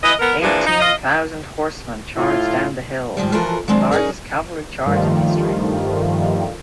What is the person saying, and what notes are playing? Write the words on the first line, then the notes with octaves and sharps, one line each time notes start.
Eighteen thousand horsemen charged down the hills, the largest cavalry charge in history.
E3 B4 D#5
B3 A#4
A#2 E3 F3 D4 G#4
D#4
F4 D#5
A2 E4 F4
G#2 D#3 F3 G3
E3 F3 F4 F#4 A4 A#4
D#3 F#3 G#3 C4 D4
C#4 D#4 F#4 G#4 A#4
G2 D#3 F3 G3 A3 F4